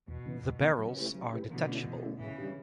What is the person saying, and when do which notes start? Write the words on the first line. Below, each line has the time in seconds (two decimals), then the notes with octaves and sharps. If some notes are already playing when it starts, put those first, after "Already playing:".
The barrels are detachable.
0.08 E2 B2
0.26 C#3 E3 B3
0.43 E2
0.61 C#3 E3 B3
0.79 C#3 F#3
0.96 A3 E4 G4 B4
1.14 F#3
1.33 A3 E4 G4 B4
1.50 B2 D3 E3
1.68 A3 C#4 E4
1.86 E3
2.03 A3 C#4 E4
2.20 A2 C#3 E3
2.38 G3 D4 G4